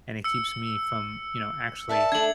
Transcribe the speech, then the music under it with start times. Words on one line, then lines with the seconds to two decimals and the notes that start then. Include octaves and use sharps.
and it keeps me from, you know, actually
0.24 E6 C#7
1.89 A#4 D5 E5 A5
2.12 A3 D4 G#6 F#7